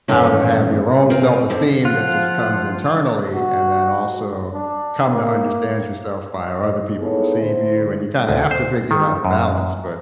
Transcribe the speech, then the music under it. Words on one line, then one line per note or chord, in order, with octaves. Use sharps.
how to have your own self-esteem that just comes internally, and then also come to understand yourself by how other people perceive you, and you kinda have to figure out a balance, but
E2 G2 A#2 D#3 A3 C#4
C4 F4 A#4 B4
F2 D3 C4
F3 F4 F#5
F#4
D4
A#3
D#5
B3 D#4 E4 G#4 A4 C#5
D3 E4 C5
D2
C5
D#3
F#2